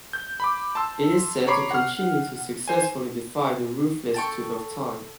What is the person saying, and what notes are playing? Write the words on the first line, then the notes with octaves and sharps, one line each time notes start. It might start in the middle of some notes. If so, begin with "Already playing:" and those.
It is said to continue to successfully defy the ruthless tooth of time.
G6
B5 D6
A5 C6 E6
C#5 A#5 B5 C#6 D6 C7
F#5 F6
C5 G#5
A4 G5 C#6